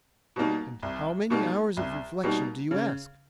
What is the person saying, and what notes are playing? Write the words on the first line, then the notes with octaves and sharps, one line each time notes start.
"And how many hours of reflection do you ask?"
B2 G3 A#3 D#4
C2
B2 G3 A#3 D#4
C2
B2 G3 A#3 D#4
C#3